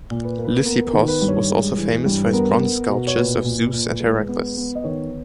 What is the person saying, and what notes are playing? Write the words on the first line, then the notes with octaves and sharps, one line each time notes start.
Lysippos was also famous for his bronze sculptures of Zeus and Herakles.
A#2
B4
A#3
B4
B3 A#4
A#4
D#3
B4
G2
C#5
G#3
E3
G2
B4
B3 A#4
B3
B2
C#5
A#2 B4
A#2
A#2
G#3
B3
B3
D#5
D#3 C#5